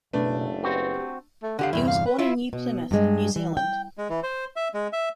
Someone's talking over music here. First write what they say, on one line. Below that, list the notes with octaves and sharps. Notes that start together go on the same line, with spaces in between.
He was born in New Plymouth, New Zealand.
F#1 B2 A3 D4 B4
C4 F#4 G4 B4
A3
D3 G4 F5 F#5
E2 G2 C3 E4
F5
B4
E4 F4 E5
B2
G2 G#3
E3
G5
G#3
E3
C5
E5
G#3
E5